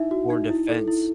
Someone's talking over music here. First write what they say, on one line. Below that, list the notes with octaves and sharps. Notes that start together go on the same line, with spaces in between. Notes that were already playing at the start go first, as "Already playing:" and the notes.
Or defense.
Already playing: D#4 E4 E5
F#4
D#4
E4
A4
E4